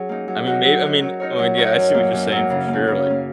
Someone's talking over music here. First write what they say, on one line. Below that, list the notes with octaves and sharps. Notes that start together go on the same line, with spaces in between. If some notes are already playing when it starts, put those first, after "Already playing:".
I mean, may I mean well and yeah, I see what you're saying for sure, like
Already playing: F#3 C#4 G#4 C#5
A#3 D#4
F#3
D#4 F#4 A#4
F#3
D#4 F#4 A#4
F#3
D#4 A#4 C#5
F#3
D#4 A#4 C#5
F#2
F#3 A#3
F#2
F#3 A#3
C#3
A#3 C#4
C#3
A#3 C#4